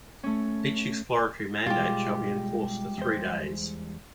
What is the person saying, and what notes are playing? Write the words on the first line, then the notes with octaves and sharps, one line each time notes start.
Each exploratory mandate shall be in force for three days.
A3 C#4
B2 G3 G#3 F4 G4
E2 C5